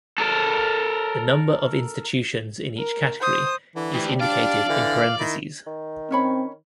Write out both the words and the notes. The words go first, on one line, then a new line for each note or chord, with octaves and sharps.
The number of institutions in each category is indicated in parentheses.
A4 A#4
A#4
C5 D#6
D3 E3
D2 G3
D4 D5 F5
D3 E3
D#3 E4
D#3
C4 C#4 C#5 B5